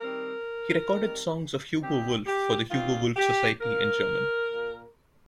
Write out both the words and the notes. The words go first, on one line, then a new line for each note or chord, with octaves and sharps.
He recorded songs of Hugo Wolf for the Hugo Wolf Society in German.
D#3 G3 C4 A#4
D#3 G3 C4
D#3 G3 C4 G4
G4
D#3 G3 C4 F4
G4
A#2 A#3 A#4
A#2 A#3